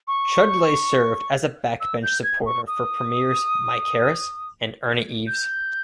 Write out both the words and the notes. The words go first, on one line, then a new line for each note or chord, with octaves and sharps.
Chudleigh served as a backbench supporter for Premiers Mike Harris and Ernie Eves.
C#6
E6
G6
G#6
C#6
D#6
G6